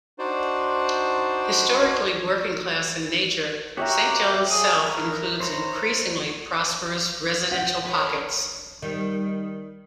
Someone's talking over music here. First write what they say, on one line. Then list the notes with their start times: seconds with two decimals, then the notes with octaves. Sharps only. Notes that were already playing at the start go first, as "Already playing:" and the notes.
Historically working class in nature, Saint John's South includes increasingly prosperous residential pockets.
0.19 D4 D#4 F#4 C5 D5
3.77 F#4 G4 C#5 E5 A#5
4.50 G#4
4.76 A#4 B4
5.40 C5 C#5 A#5
7.51 F#5 G5
7.86 A4 B4 C#5
8.82 D#3 G3